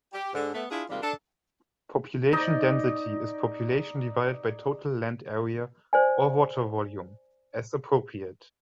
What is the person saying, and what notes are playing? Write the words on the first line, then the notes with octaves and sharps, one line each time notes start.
Population density is population divided by total land area or water volume, as appropriate.
G4
G#2 D3
A3 B3
D4 E4 F4 G#4
D#2 C3 G3 G#3 A#3 F4
D4 A4
D#4 D5 D#5
C5 D5 G#5